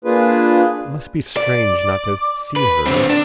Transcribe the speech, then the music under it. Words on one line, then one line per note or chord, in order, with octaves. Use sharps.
Must be strange not to see her.
A#3 D4 F4 G#4 B4
D5
B4
D3 C4
D4